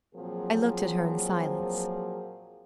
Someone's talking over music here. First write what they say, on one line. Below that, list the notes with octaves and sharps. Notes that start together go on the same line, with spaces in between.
I looked at her in silence.
A#2 F3 F#3 A#3 C4 G#4